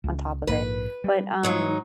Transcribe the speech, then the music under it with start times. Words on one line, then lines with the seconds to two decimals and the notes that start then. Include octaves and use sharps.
on top of it. But, um,
0.04 C#2
0.47 A#1 G#2 A#3 B4
1.04 G3
1.43 G#2 F#3 D#4